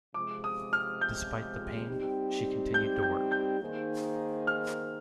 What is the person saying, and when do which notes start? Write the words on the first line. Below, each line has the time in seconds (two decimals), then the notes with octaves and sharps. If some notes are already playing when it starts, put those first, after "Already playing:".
Despite the pain, she continued to work.
0.14 C3 F3 G#3 D6
0.44 D#6
0.73 F6
1.01 G6
1.88 G3 C4 D#4 G4
2.74 G6
3.03 G6
3.32 G6
3.61 D#3 A#3 D#4 G#4 C5
4.47 F6